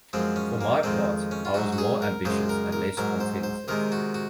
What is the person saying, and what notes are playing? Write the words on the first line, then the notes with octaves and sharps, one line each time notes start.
For my part, I was more ambitious and less contented.
F#2 F3 G#3 C4
C#4
A#3
F2 D#3 G#3 C4
C#4
F4
G#2 F#3 F#4
F#4
G#4
A#4
F#2 C#3 G#3 C5
A#4
A#4
G#2 F#3 A#4
C5
C5
C3 D#3 G#3 A#4
F#4
F#4